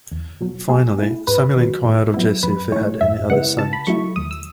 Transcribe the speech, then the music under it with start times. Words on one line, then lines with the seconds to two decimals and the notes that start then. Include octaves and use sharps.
Finally, Samuel enquired of Jesse if he had any other sons.
0.11 E2
0.41 B2 F#3
0.69 B2 G#4
0.98 A3 E4
1.27 G#2 B4
1.56 D#3 F#3
1.85 A2
2.14 F#3 B3 E4
2.43 F#2 B4
2.72 E3 A3 C#5
3.01 F#2 E5
3.30 C#3 G#3 B3 E4 F#5
3.58 C#3 A5
3.73 B5
3.87 F#3 A3 E4 C#6
4.16 D#2 D#6
4.31 E6